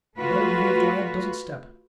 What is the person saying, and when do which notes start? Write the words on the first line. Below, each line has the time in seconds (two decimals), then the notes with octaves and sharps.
A better-behaved lad doesn't step.
0.19 A3 F4 F#4 B4